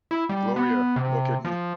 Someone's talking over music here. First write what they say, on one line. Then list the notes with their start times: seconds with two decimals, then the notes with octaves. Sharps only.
Gloria, look at me!
0.11 E4
0.29 G3
0.56 B3
0.96 C3
1.45 F3